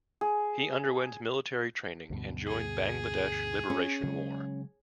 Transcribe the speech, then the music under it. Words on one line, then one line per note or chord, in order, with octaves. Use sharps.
He underwent military training and joined Bangladesh Liberation War.
G#4
D2 G2 B2
G#4
C#4
C#3 F#3 G#3